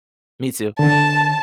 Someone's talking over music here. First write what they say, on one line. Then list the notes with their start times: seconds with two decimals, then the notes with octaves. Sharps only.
Me too.
0.79 D3 A5